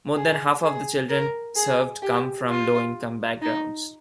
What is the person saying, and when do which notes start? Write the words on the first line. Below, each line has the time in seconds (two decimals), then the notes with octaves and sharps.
More than half of the children served come from low-income backgrounds.
0.17 G#4
0.63 G#4
1.10 A#4
1.56 G#4
2.02 G4
2.49 F4
3.42 D#4